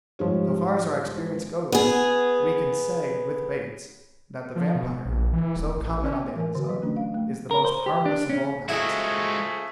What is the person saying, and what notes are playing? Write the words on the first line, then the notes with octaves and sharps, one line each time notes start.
So far as our experience goes, we can say, with Bates, that the vampire, so common on the Amazon, is the most harmless of all bats.
G#2 D#3 F3 G3 C#5
B3 G#4
F3
B2
A#1
E3
D#1
A1
C#4
E3 A#4 G#5
D3 F#4 B4
F#3
A3 C#4 D4
F5
A3
A#4
C5
G4
D4
C#4
C#3 F3 G#3 A3 E4 F#4 G#4